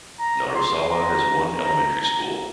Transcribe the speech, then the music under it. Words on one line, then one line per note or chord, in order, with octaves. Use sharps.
Narusawa has one elementary school.
A#5
C6
A#5
A#5
A#5